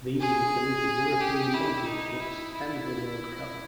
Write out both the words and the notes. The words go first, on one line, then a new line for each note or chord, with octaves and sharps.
These include the European Championships and the World Cup.
G#4
G4
E4
D#4
E4
E4